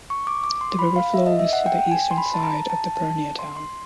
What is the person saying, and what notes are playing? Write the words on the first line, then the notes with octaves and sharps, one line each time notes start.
The river flows to the eastern side of the Purnia town.
C#6
D6
D6
C6
B5
F5
E5
D#5
E5
F#5
G5
G5
G#5
C6
B5
A5
A#5
A5
A5
C6
C6